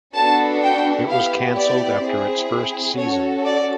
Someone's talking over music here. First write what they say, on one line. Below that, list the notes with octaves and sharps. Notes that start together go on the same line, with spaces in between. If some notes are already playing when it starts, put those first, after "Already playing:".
It was canceled after its first season.
B3 D4 F#4 A4 A5
G5
B3 E4 G4 F5
D5
C4 E4 G#4
C#4 F#4 A4 C#5
D5